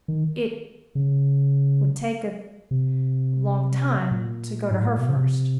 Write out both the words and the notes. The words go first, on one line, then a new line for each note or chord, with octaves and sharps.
"It--would take a--long time to go to her first?"
D#3
C#3
C3
A#2
G#2
A2
B2
C#3
C3